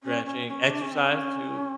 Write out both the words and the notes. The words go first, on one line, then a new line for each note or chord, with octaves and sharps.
Stretching, exercise too, if
C#4
C#4
C#4
D4
C#4
C4
D4
C#4